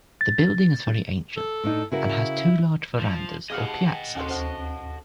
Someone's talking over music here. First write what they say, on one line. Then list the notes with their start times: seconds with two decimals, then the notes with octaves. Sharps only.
The building is very ancient and has two large verandas or piazzas.
0.21 A6
1.37 A4
1.64 A2 D4 D#4
1.92 C#3 E4 F#4 A#4
2.99 F3
3.50 G#2 B2 G4 G#4 D#5 F5 F#5 F6
3.85 G5 G#5
4.15 D#2 C3 F#4 A4 C6
4.28 D2 C5